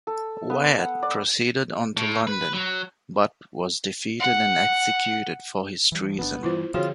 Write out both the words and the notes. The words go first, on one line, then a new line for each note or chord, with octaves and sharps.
Wyatt proceeded on to London but was defeated and executed for his treason.
A4
B3
F#5
D5
A2
B4
F#3
F#5
E3 G3
G1 D3 B3 D4
G2 E3 G3 E4 F4 C5
D3 F3 C4 F4 F#4 G#4 C#5